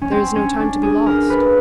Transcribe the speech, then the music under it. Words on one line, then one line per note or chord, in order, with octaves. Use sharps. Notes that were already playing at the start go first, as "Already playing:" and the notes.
"There is no time to be lost."
C#4
C4
C#4
D4
G#4
A#4
B4